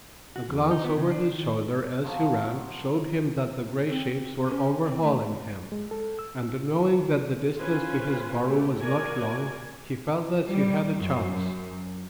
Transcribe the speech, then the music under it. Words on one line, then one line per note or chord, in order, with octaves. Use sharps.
A glance over his shoulder, as he ran, showed him that the gray shapes were overhauling him; and, knowing that the distance to his burrow was not long, he felt that he had a chance.
F#4
E2
D#4
B3
C#3
D4
D#3
F3 F#3
C4
C#4
C4
A3
G#3
A4
E6
C#4 F4 B4 C5 G#5
A3 G4
F#4 A#4 D5 G#5
G3
F#2